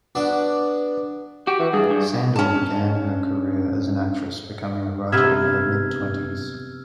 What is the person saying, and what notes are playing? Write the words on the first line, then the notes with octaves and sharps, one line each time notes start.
Sandor began her career as an actress, becoming a writer in her mid-twenties.
B3 D4 F#4 D5
F#4 G4
E3
G2 G#4
G2
C#4 A5
C3 B3 E5 E6 F6 G#6